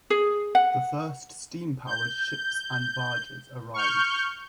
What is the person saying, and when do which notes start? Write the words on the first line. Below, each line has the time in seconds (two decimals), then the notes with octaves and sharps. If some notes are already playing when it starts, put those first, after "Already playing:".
The first steam-powered ships and barges arrived.
0.10 G#4
0.55 F#5
1.87 G6
3.74 C#6 F6 G6